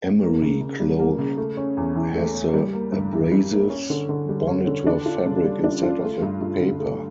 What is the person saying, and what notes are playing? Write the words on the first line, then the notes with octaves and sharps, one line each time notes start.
Emery cloth has the abrasives bonded to a fabric instead of a paper.
A#3
C#3
C#3
G3
A#3
C#3
A3
C#4
E2
E3
A3
C#4
G3
A#3
G2
E3
G3
A#3
C#4
D3
D3
G3
C#4
D3
D4
F4
C#3
G3
D4
F4
A3
G2
G2
D3
A3